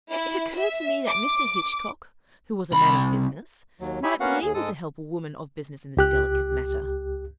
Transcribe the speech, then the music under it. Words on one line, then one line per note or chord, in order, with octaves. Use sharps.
It occurred to me that Mr. Hitchcock, who was a man of business, might be able to help a woman of business in this delicate matter.
E4
E5
D6
C2 B5
D#2 F#3
E4 G4 C#5 E5 G#5 B5
A#3 B3 C#4 F#4 F5 F#5
D#2 G#4
G#2 G#3 A4 D#6
C#2 G4 F#6